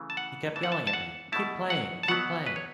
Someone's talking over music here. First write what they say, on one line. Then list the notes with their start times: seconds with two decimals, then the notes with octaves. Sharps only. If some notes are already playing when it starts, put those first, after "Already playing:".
He kept yelling at me, 'Keep playing, keep playing!
Already playing: C#3 E3 A3
0.10 A5
0.17 F#5
0.56 E3 B3 E4 A5
0.63 F#5
0.72 A5
0.87 A5
0.93 F#5
1.32 B2 A3 E4 A5
1.70 F#5
2.03 A5
2.08 B2 F#3 B3 F#5
2.46 B4
2.56 C#5